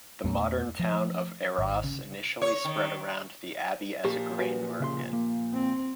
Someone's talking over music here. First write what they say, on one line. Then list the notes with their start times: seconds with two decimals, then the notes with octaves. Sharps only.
The modern town of Arras initially spread around the abbey as a grain market.
0.24 E2 A#2 A3 B3
0.79 F3 A3
1.58 G#1
1.84 C#3
2.42 C#5
2.65 D#3
4.05 A#2 F3 G4
4.39 F#4 B4 G#5
4.80 C#3 E5 C6
5.13 A#3
5.54 C4